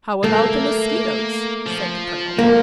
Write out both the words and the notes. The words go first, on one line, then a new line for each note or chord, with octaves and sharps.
"How about the Mosquitoes!" said the colonel.
A3 A#3
F3
A#3